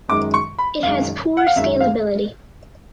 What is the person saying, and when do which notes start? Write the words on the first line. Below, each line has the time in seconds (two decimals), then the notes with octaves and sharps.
It has poor scalability.
0.09 F#2 D#3 G#3 D6
0.34 C#6
0.59 B5
0.83 F#2 D#3 G#3 F5
1.37 F#5
1.47 F5
1.56 F#2 D#3 G#3 E5
1.80 F5